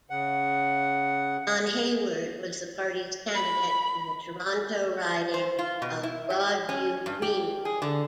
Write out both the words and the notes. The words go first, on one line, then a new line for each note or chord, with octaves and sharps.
Don Hayward was the party's candidate in the Toronto riding of Broadview-Greenwood.
C#3 F#5
B5
C5
F4
B2
E4
G4
C#4
G2
G4
G#4
D3